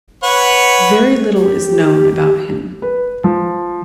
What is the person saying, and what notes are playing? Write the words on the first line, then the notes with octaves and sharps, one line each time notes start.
Very little is known about him.
B4 C#5 F#5
G4
B4
F3